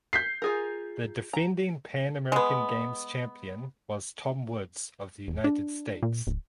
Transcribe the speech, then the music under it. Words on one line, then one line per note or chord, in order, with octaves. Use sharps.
The defending Pan American Games champion was Tom Woods of the United States.
G6 B6 C7
F4 G#4 A#4
A#5
G#3 B3
E1
D4
A#2
D1